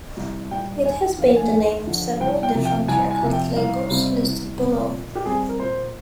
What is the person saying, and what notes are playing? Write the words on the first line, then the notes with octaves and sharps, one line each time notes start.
It has been the name of several different record labels, listed below.
C2
A#2 G3 G5
D#2 G#5
D3 F3 F5
G#5
D#2
D3 F3
C2 G5
G5
C3 F3
G5
C2 G#5
G#5
C3 F3
G5
C2 F5
C3 G3 C4
C2
C3 G3 C4
A#2
G4
G3 C4 G#4
A#4
A#2 C5